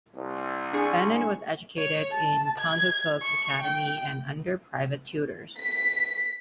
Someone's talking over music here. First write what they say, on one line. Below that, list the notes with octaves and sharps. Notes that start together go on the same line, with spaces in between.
Bennett was educated in Contoocook Academy and under private tutors.
C2
D4 G#4 C#6
C#5
A5
G#6
C#6
G5
B6